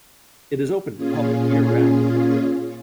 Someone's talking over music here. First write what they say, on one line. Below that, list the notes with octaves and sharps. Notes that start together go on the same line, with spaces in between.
It is open to the public year-round without charge.
A#2 C#4 F4 G#4